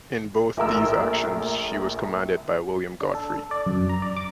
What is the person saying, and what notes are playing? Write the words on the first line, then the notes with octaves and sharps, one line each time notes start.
In both these actions, she was commanded by William Godfrey.
A#1 A3 A#4 E6
D4
A4
A4
D5
F#2
A#5
D5
D6